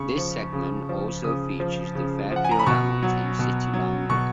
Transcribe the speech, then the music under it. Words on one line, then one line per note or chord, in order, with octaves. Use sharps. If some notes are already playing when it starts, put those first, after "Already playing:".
This segment also features the Fairfield-Hamilton city boundary.
Already playing: C#3 C#6
F3
C#3
F3
C#3 D#6
F3
C#3
F3 F#5
G#5
A#5
B5
B2 C#6
F#3
B2
F#3
B2 C#6